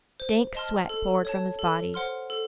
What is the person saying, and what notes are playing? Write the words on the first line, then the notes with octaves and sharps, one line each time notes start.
Dank sweat poured from his body.
C5
D#5 A5 C6 F6
A4
C#5 A5
A4
C5 F#5 C6 F6
A4